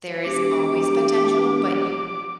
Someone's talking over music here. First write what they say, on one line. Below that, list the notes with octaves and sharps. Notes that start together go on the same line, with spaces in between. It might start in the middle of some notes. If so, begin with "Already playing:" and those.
there is always potential, but you
E1 G4 D6